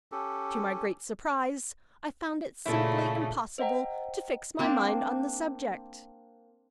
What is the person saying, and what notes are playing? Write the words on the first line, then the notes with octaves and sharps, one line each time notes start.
To my great surprise, I found it simply impossible to fix my mind on the subject.
C#4 G4 A4
A#2 C#3 A3 E4
C5 D#5 F#5 G5 A#5
A#3 C4 D4